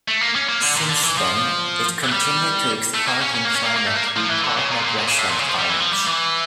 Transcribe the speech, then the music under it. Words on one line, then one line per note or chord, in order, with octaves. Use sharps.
Since then, it continued to expand in China through partner Grassland Finance.
A3
A#3
C#4
A#3
D3
A#2
D3
E3
F3
G3
A3
A#3
C#4
C#4
A#3
C#4
A#3
A#3
A3
A#3
F3
E3
D3
C#3
A#2
A#2
A#2
C#3
A2
A#2
C#3
F3
G3
E3
F3
G3
E3